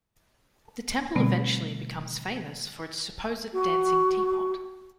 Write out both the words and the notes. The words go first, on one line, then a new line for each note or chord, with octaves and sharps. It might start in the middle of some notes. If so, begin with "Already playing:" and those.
The temple eventually becomes famous for its supposed dancing teapot.
B2 D3 G3 A3 B3 C4
F#4